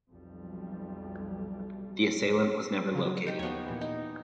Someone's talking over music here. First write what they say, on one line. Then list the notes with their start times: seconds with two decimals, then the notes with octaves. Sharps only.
The assailant was never located.
0.11 B1 F2 G3
2.93 A#2 C#3
3.05 F#3
3.27 D#4 G4
3.39 D#2 F3 B3 C#5
3.66 A#2 E3
3.81 D#4